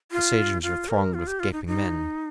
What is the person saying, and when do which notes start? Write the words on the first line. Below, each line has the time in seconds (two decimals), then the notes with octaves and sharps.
The stagings were thronged with gaping men.
0.12 F4
0.63 F4
0.89 A#4
1.14 F4
1.27 G4
1.40 F4
1.53 D#4
1.67 D#4